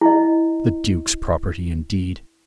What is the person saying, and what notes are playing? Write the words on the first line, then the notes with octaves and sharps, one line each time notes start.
The Duke's property, indeed!
E4 D#5